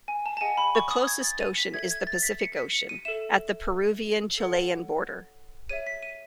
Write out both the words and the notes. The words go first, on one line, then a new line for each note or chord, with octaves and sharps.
The closest ocean is the Pacific Ocean, at the Peruvian-Chilean border.
G#5
A5
A5
G#4 D#5 F#5 G#5
B5
C#6
D#6
G#6
A6
D#7
B6
A4 E5 G#6
G#6
A6
B6
C#7
B6
C#7
D#7
A4 E5 E7
A4 C#5 F#5
G#4 C#5 E5 D#7
B6
D#7